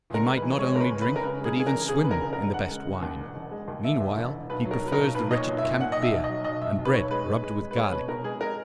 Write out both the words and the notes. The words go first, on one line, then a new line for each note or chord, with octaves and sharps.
He might not only drink but even swim in the best wine; meanwhile he prefers the wretched camp beer, and bread rubbed with garlic.
C#2 A#4
G#3
B4
E3
G#3 C#5
C#2 A#4
B4
G#3
B4
C#3
A#4
C#3 B4
G#3 G#4
C#3 G#4
A#4
E3
C#3 G#4
C#3 B4
A#4
E1
E1 A#4
C#3 F#5
G#3
C#3
D#2
E1
E1
G#3
D#2
E1 E5
D#2
E1
E1
B1 B4
F#3
A#4
F#3
B4
A#4
B1
B1 B4
A#2 D#5
C#5
B1
E5
A#2
A#2 F#5
B1 D#5
E5
B1
F#3 D#5
B1 D#5
B1 E5
B1
B4
B1 C#5
G#3 B4
G#3
G#3
G#3
B4
G#3 C#5
B2 B4
B2 A#4
G#3 G#4
G#3 A#4